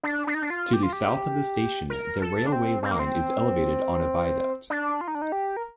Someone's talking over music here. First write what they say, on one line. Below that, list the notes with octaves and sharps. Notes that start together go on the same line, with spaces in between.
To the south of the station, the railway line is elevated on a viaduct.
D4
D4
D#4
D4
F4
G4
F4
G4
A#4
A4
D4
C4
C4
A#3
C4
D4
F4
D#4
D4
D#4
G4
A#4